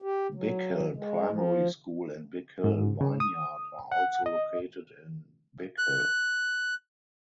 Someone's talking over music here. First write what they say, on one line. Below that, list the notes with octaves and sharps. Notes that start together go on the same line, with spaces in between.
Big Hill Primary School and Big Hill Vineyard are also located in Big Hill.
G4
F#3
G#3
F3
G#2
C#3
D#6
F#5
D#5
F#6